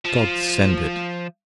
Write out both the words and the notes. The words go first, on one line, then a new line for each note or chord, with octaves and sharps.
God send it!
F3